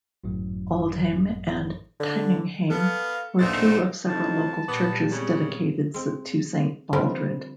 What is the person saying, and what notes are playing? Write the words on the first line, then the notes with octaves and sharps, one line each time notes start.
Auldhame and Tyninghame were two of several local churches dedicated to Saint Baldred.
G#1 F#2 A2 F#3
D3
B3 A4 F5
A#1 B2 A3 C4 D#4 A6
F2 C3 C#4 D#4 A5
A#2 G3 B3
C#3 G#3 B3 C4
G#3 C4
D3 F3 G3 C4 A#4 B4